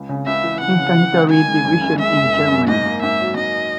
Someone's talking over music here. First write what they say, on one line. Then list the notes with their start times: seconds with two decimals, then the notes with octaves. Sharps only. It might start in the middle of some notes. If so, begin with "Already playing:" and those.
Infanterie-Division in Germany.
Already playing: C#2
0.09 C#3
0.26 C#2 E5
0.44 E3
0.61 C#2 F#5
0.78 C#3
0.95 E3
1.13 C#2
1.30 D#3 G#5
1.47 G#3
1.64 F#2
1.81 F#1
1.99 G#3 E5
2.16 F#1
2.34 F#1
2.51 F#2
2.68 G#2 D#5
2.85 A#3
3.03 G#2 E5
3.20 F#3
3.37 G#2 D#5